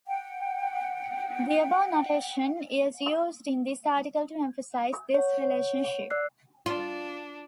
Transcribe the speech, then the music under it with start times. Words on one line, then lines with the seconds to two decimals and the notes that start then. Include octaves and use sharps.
The above notation is used in this article to emphasize this relationship.
0.07 F#5 G5
5.14 C#5 F#5
6.10 D5 E6 F#6 C7
6.66 D4 F4